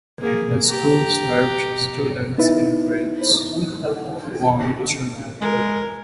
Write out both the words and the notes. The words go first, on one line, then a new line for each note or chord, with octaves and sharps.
The school served students in grades one through nine.
A#3 G#4
G4 A#5
B3 D#4 E4 B4 E5
G#3 A#4